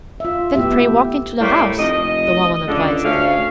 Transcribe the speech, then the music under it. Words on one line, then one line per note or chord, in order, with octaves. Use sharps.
"Then pray walk into the house," the woman advised.
F4 E5
A3 B3 E4 G4 E5
A2 G3 A3 A#3
F1 D#5
C#2 D3
D2 C#4 F5